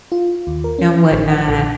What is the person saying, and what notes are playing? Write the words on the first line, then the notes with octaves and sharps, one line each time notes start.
and whatnot.
F4
D#2
A#4
C#4
A1
F#5
A#1